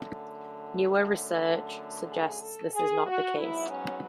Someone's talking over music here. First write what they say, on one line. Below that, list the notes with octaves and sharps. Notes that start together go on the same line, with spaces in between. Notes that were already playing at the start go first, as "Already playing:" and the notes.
Newer research suggests this is not the case.
Already playing: F#2 D3 A3
G#4
A4
G#4
F#4
G#2 F#3 B3 E4
C#4